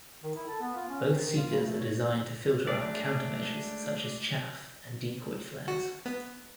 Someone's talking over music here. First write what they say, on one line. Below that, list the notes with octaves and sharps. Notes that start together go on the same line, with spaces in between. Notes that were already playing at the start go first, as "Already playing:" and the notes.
Both seekers are designed to filter out counter-measures such as chaff and decoy flares.
D#3
E4
A4
B3
F4
C#4
D#3
D#3
F4
C#3
A3
C#5
G#3 A3 D4 D5
F#4
B3